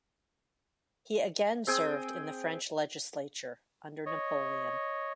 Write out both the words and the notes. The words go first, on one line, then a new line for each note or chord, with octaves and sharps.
He again served in the French legislature under Napoleon.
C4 G#4 G5 G#5
C#5 D#5